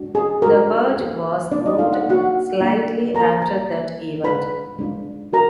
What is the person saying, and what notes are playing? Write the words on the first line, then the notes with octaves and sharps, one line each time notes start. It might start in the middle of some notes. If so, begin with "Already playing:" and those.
The barge was moved slightly after that event.
Already playing: G#3 D4 F#4
G#4
G#3 D4 F#4 A#4
A#3 F4
A#3 D4 F4 D5
D#4 D#5
F4 F5
F#5
F5
A#3 D4 F4 F#4 F#5
A#3 D4 F4
A#3 F4 A#4 A#5
A#4 A#5
A#3 F4
G#3 D4 F4 B4 B5
G#3 D4 F4
F#4 A#4 A#5